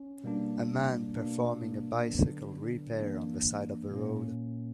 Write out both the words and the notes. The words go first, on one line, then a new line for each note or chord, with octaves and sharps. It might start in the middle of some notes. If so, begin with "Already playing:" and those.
A man performing a bicycle repair on the side of the road.
Already playing: C#4
B2 G3 A#3 D4
B2 A#3 D4
D3 F#3 B3 D4
E3 A#3 D4
A#2 A#3 C#4